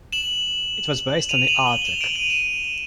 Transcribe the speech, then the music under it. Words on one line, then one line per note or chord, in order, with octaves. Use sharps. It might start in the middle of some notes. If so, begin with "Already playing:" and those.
It was based on the Artek.
E7 F#7
D#7 F7
F7
E7 F#7
F7 G7
G7
E7 F#7
D7 E7
D#7 F7
E7 F#7